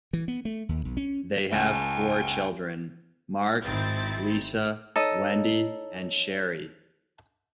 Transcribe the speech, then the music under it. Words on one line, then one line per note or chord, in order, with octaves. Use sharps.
They have four children: Marc, Lisa, Wendy, and Sherry.
E3
B3
A3
D#2
B1
C#4
C#2 G5 G#5
G#1 C4 D#4 E4 A6
D#4 A4 C#5 D#5 D#6